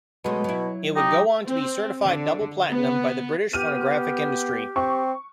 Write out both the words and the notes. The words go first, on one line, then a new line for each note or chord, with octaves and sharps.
It would go on to be certified double platinum by the British Phonographic Industry.
B2 F#3 G#3 A3
F#3 E4
D#4 G4
C4
D3
B3
B3 G4 F6 D#7
C4 C#6